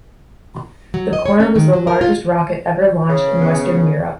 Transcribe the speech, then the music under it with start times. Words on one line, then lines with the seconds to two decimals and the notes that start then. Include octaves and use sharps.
The Cora was the largest rocket ever launched in Western Europe.
0.94 F#3
1.13 D#5
1.26 C#5
1.40 C#4
1.56 D#3
1.73 F#3
1.87 A#4
2.01 F4
3.09 C#3
3.41 B3